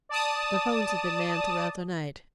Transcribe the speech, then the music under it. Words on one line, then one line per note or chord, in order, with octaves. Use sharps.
The phones had been manned throughout the night.
D5 A5 D#6